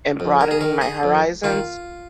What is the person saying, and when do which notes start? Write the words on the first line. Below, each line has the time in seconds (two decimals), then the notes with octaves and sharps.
and broadening my horizons,
0.20 F2
0.41 A#4
0.51 G#4
0.61 D#3 A#4
0.81 G#4
1.03 F2
1.44 D#3 F4